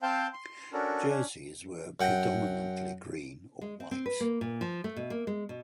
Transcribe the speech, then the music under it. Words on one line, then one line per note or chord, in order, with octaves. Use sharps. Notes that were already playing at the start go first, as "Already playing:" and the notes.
Jerseys were predominantly green or white.
C4 C5 F5 G5 A5 G6
C6
C#4 D4 F#4 A4 A#4
C#4 D4
F#2 F#5 G5
G#3
C4
C4
B4
A#3
A#2
F3
A3
B2
A#3
G#3
B2